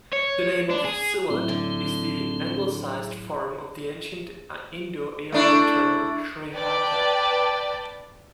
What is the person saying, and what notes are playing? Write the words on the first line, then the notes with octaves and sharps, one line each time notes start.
The name of "Sylhet" is the anglicized form of the ancient Indo-Aryan term "Srihatta".
C#5
D4
G#4
A2 F#3 C4 E4
D3
A3 D4 E4
B4 D5 G5 A5